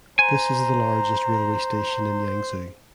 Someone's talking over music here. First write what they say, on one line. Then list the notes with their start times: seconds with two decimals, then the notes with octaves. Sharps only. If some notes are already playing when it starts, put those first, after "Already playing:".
This is the largest railway station in Yangzhou.
0.19 C5 G#5 A#5